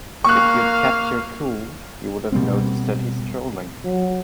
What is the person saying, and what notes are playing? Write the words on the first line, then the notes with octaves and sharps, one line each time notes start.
If you'd kept your cool, you would've noticed that he's trolling.
A#3 F5 C#6 F#6
B2 G3 A#3 C4
F#3